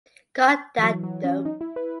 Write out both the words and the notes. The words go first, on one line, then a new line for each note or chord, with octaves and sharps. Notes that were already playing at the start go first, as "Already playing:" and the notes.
Got That Dope.
E3
F#3
F#3
C#4
D#4
E4
B4